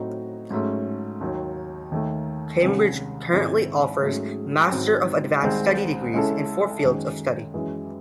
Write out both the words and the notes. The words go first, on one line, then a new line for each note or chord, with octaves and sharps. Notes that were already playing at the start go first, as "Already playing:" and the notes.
Cambridge currently offers master of advanced study degrees in four fields of study.
Already playing: A2 F#3 C4 D#4 F#4
G#2 F#3 A3 C#4
D#2 D#3 F#3
D#2 D#3 A3
C2 C3 D#3 G#3 C#4
G#2 D#3 G#3 C4 E4
G#2 F#3 A3 C#4 G#4
G#1 G#2 F#3 C4
C2 C3 D#3 G#3 C4
C#3 G#3 C#4 E4 A4
F#2 D#3 G#3
F#2 E3 G#3